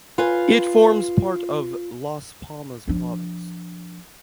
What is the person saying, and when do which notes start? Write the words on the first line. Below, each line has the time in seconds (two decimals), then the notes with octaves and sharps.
It forms part of Las Palmas Province.
0.18 F4 B4 G#5
2.88 F3 D4